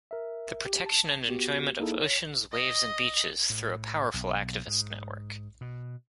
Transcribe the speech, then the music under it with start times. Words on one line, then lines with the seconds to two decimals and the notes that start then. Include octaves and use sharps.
The protection and enjoyment of oceans, waves and beaches through a powerful activist network.
0.11 A#4 E5
0.65 G4
0.86 A5
1.28 B3 F#4 G4
1.80 A#3 D#4 E4 G#4 A4
2.02 C#5
2.52 D#5
3.50 A2
4.14 B1
4.67 G#2
5.61 B2